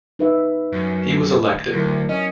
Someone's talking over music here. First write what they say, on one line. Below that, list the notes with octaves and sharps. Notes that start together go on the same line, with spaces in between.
He was elected.
D#4 B4 E5
F#2
D2 F#3 E4 A#4
C#4 D#5